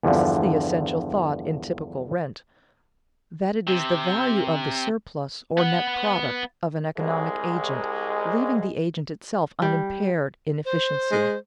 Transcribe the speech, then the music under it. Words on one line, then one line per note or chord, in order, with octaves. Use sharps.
This is the essential thought in typical rent--that it is the value of the surplus, or net product, of an economic agent leaving the agent itself unimpaired in efficiency.
E2 G2 D3 F3
C3
B3 F#5
C2 G#3
G3
C5
G#3